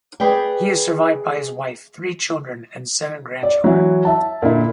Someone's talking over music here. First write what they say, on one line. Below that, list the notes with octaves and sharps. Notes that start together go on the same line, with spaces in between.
He is survived by his wife, three children, and seven grandchildren.
G#4 B4 D5 G5
D5
E3 F#3
E5 A5
A#2 D3 E4